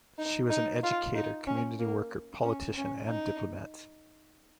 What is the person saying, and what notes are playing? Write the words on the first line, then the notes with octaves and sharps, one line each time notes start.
She was an educator, community worker, politician, and diplomat.
D#4
D#4
F4
D#4
C#4
A#3
C#4
C#4
D#4